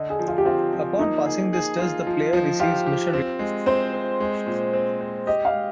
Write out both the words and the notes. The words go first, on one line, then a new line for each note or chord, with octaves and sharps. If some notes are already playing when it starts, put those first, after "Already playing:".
Upon passing this test, the player receives mission requests from corporations and other groups.
Already playing: D3 D#5
G#4
F3
F4
G4
C4 F4
F3
A#3 D#4
G#4
G#4
F4
F3
F3
F4 G4
G4
C4
G#3
C4 C5
C4
G#3
A#2
C4
C4
G4 D#5
F5
G#3